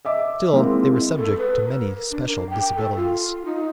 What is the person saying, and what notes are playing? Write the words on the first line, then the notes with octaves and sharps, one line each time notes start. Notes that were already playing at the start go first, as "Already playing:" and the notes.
Still they were subject to many special disabilities.
D#5 E5 D6
G#3 A#3 C4 E4
A4
B4
A#4
D4
A#4
G5
A4
F4
D#4